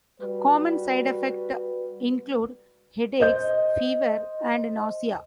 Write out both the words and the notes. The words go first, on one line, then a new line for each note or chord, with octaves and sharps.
Common side effects include headaches, fever, and nausea.
G3 F#4 B4
C5 D#5 G6